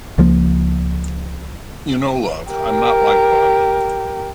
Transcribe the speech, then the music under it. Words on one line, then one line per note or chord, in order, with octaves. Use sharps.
You know, love, I’m not like Bonnie.
C#2 F3 A#3
G4 A#4